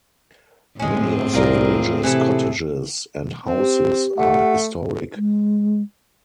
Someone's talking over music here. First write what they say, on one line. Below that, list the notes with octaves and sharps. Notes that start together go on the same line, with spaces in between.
Many of the village's cottages and houses are historic.
A2 G#3 C4 C#4 G#4
C2 F4 A#4 D5
C3 E3 E4 A4
C4
G4
A3 F#5
G#3